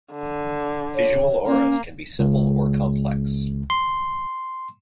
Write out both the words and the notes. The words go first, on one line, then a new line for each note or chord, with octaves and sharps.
Visual auras can be simple or complex.
D3
C#5
A#3 C#4
C#2
C6